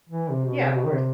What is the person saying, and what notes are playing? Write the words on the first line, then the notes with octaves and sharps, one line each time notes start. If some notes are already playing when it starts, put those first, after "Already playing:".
Yeah, of course.
E3
C3
B2
C3
B2
D#3
C3